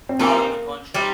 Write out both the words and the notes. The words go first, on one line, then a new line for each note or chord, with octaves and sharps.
out of the country.
C4
G3 A#3 C4 D#4
G3 C4 D#4